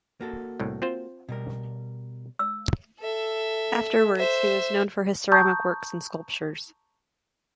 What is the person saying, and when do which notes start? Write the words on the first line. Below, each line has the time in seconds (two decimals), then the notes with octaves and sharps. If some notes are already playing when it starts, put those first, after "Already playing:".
Afterwards, he was known for his ceramic works and sculptures.
0.21 A#3 F#4 A4
0.60 C2 A2
0.82 C4 F4 C5
1.29 B2 G3 A#4
2.39 E6
3.00 A4 E5
4.17 C5 E5
5.32 A5 A#5 C#6 D#6 G6